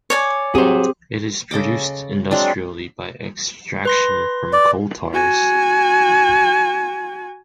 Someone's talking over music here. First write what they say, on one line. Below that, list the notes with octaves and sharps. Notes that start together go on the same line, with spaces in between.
It is produced industrially by extraction from coal tars.
C#5 D5 G#5
F#3 C4 G4 G#4 C5
C#3 A4 D#5 D6
F#3 G#3 C4 D4
B4 C6 A#6
D5
F#4 G#5